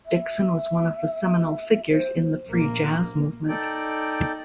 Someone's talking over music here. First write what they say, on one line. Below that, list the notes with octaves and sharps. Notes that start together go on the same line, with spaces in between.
Dixon was one of the seminal figures in the free jazz movement.
E5
C5
A#1 A#3
D#4 A4 D5 G5